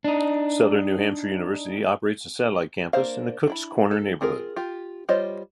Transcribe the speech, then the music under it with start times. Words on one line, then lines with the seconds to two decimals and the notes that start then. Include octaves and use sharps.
Southern New Hampshire University operates a satellite campus in the Cook's Corner neighborhood.
0.04 D4 D#4
2.93 A#3 D4 C5 F5
3.47 D4 E4 B5
3.91 A4
4.21 C4 F4 G#4 A#4
4.56 F4 G4
5.09 G3 F4 C5 C#5 D#5